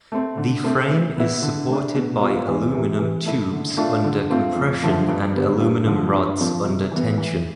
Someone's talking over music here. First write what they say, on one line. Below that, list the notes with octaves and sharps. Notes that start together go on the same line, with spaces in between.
The frame is supported by aluminum tubes under compression and aluminum rods under tension.
A3 C4
D3
A3 C4
E3
B3 E4
D3
A3 D4
B2
G3 B3 F4
E2
C3 E3 G3 C4
E3
A3 E4
D3
A3 D4 F4
D3
A3 C4 F4
F2
D3 F3 A3
G2
D3 G3 B3
G2
D3 F3
G2
F3 C4
C3
E3 B3
E3